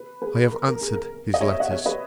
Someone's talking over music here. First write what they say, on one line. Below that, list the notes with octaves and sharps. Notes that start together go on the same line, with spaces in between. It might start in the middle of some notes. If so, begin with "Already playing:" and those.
I have answered his letters.
Already playing: B4
G#4 B4
A#4
A#4
G#4
A#4
D#5
C#5 E5
C#5 E5
D#5 F#5
C#5 E5
B4 D#5